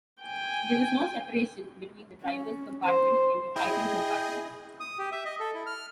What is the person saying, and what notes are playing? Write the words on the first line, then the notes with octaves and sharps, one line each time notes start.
There was no separation between the driver's compartment and the fighting compartments.
G5 G#5
C#4
C5
E4 G#4 D#5 G5
D#6
G4
E5
D#5
A4
E4
F6